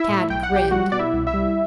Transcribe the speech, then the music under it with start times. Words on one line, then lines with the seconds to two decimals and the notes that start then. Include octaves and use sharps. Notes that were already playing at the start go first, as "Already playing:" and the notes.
Tad grinned.
Already playing: E4 E5
0.09 A2
0.30 B1 G5
0.43 F#5
0.51 B1 G4 G5
0.71 G3 F#4 F#5
0.92 B2 D5
0.99 E4 E5
1.13 C2
1.27 E4 E5
1.34 G3